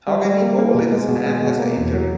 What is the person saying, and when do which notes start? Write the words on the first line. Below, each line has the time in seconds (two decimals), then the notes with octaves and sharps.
How can he bowl if his hand has a injury?
0.08 G3
0.25 G3
0.42 A#3
0.59 A#3
0.75 B2
0.92 G#3
1.08 B2
1.26 G#3
1.43 B2
1.59 A#3
1.77 E2
1.94 F#3